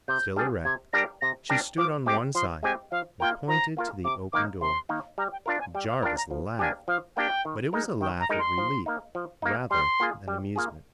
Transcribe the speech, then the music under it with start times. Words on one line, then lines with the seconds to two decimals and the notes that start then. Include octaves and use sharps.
Still erect, she stood on one side and pointed to the open door. Jarvis laughed, but it was a laugh of relief rather than amusement.
0.08 C3 G6
0.36 G3 D4 G#4
0.65 C3 G#6
0.93 G3 D4 G4 A#4 A#6
1.21 C3 A#6
1.49 G3 D4 G4 A#4 A#6
1.78 F3 D6
2.06 G#3 C4 G4 D6
2.35 F3 C6
2.63 G#3 C4 G4 G#5
2.91 F3 F5
3.20 A#3 F4 A#4 G5
3.48 F3 A#5
3.77 A#3 F4 A#4
4.05 C3 D6
4.33 D#3 A#3 D#4 D6
4.61 C3 C6
4.89 D#3 A#3 D#4
5.18 G3 A#5
5.32 G5
5.46 D4 F4 A#4 F5
5.60 G#5
5.74 G3 G5
5.89 F5
6.03 D4 F4 A#4 G5
6.17 A#5
6.31 F3
6.59 A#3 D4 G4 G#5
6.88 F3 F5
7.16 A#3 D4 G4 G5
7.45 D#3
7.73 G#3 D#4 A#4
8.01 D#3 G5
8.20 A#5
8.29 G#3 D#4 A#4
8.39 C6
8.58 F3
8.86 A#3 D#4
9.15 F3
9.42 A#3 D#4
9.70 G3 C6
10.00 A#3 F4 G#4
10.28 G3
10.56 A#3 F4 G#4